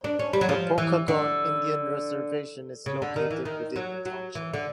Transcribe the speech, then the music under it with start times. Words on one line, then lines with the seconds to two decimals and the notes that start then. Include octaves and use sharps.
The Pokagon Indian Reservation is located within the township.
0.04 D4
0.19 C#4
0.33 G3
0.41 F#3
0.49 F3
0.78 E3
1.08 D3
2.86 C#3
3.02 D3
3.16 D#3
3.31 E3
3.45 D#3
3.76 F#3
4.06 F#3
4.35 E3
4.53 D3